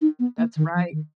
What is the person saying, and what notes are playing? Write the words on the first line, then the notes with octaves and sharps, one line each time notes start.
That's right.
D#4
B3
A#3
D#3
F3
D#3